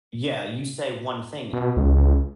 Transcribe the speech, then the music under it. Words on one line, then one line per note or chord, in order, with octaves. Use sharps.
yeah, you say one thing
B2
C#2